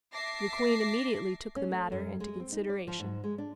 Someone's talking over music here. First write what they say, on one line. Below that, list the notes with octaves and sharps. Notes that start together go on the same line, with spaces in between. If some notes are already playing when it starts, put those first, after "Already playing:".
The queen immediately took the matter into consideration.
E5 A5 D6 A#6 C7
C#4
A3
F#2
G#3
C4
D#4
D5
F3
G#2
G#3
D4